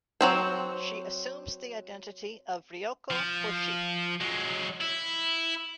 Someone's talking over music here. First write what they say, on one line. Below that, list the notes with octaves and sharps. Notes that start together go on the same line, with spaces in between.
She assumes the identity of Ryoko Hoshi.
F#3 C4 C5
F3
F#3 G#3
E4